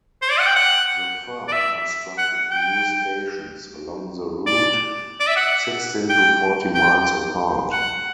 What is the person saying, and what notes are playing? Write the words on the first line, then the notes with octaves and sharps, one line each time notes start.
The firm constructed new stations along the route, sixteen to forty miles apart.
C5
D5
F#5
G5
F#5
D5
E5
F#5
G5
D5
D5
E5
F#5
G5
G5
F#5